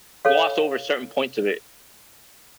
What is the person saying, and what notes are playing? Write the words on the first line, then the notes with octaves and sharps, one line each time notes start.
gloss over certain points of it,
A4 C#5 F5